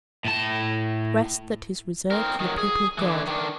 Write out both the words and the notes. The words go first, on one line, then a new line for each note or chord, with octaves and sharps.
"Rest that is reserved for the people of God."
A2 A5
C4 A#4
D#3 F#3
G#4
D3 E3
D#3 D4